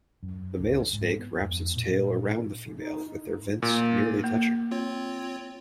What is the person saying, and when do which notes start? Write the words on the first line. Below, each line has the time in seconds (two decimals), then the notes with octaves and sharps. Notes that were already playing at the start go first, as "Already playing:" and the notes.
The male snake wraps its tail around the female with their vents nearly touching.
0.23 F#2
0.59 C#2
0.93 G#2
1.19 B3
1.41 F2
1.76 A#2
2.77 D#4
3.62 A#2
4.24 A#3
4.71 C4 F4 C#5